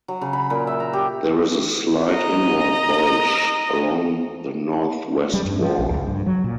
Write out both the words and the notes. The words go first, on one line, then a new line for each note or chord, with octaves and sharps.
There is a slight inward bulge along the northwest wall.
F#3
C#3
B5
A#2
E5
A#5
G4
D#5 A#5
G3
G2
F3
A#1
C#2
G2
F#3
A#2